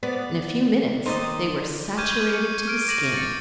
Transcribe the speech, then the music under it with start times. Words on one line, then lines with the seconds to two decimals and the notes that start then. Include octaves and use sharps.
In a few minutes they were saturated to the skin.
0.03 B3 D5
1.06 D#2 D#4 C5 D5 D#5
1.97 C#6 D6 F6 G6 G#6 D#7
2.33 C#7
2.68 F6 D7
2.88 D6 A#6 D7 D#7 F#7
3.14 A6 C#7